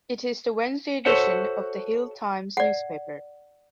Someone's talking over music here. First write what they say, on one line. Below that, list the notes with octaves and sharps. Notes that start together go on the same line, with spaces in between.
It is the Wednesday edition of "The Hill Times" newspaper.
F#4 A4 C5 C#5 E5 F#5
D5 F#5